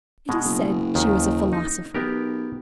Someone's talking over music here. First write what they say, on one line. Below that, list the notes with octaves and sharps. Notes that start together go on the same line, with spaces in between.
It is said she was a philosopher.
B2 G#3
F#1
D#2 D#3
D#4
B1 B3 G4 A#4